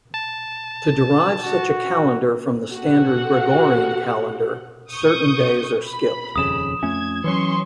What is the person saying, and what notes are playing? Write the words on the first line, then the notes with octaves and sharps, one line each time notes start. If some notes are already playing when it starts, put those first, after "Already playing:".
To derive such a calendar from the standard Gregorian calendar, certain days are skipped.
A5
F#4
F#4 G4 A4 F#5
C#6 D#6 G6
B5
D#1 F2 C#3 D#6 E7
F2 A3 C#4 G#6
E3 F#3 C#4 C6 C#6